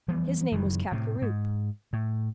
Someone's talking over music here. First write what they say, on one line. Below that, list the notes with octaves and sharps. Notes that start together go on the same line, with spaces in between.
His name was Capgaroupe.
E3 F3 G3 B3
F#1 F#2 D#3 E3
A2 C3
G#2
A2